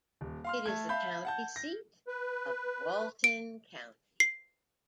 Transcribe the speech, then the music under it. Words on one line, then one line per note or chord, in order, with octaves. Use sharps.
It is the county seat of Walton County.
D#1
F5 C6 F6
A3 A5 G#6
E5 F5 A5 B5 G6
F#5 A5 G6
A#6
B4
D7
C7